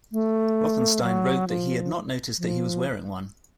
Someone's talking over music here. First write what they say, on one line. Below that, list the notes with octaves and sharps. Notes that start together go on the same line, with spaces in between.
Rothenstein wrote that he had not noticed that he was wearing one.
A3
F#3
F3
F3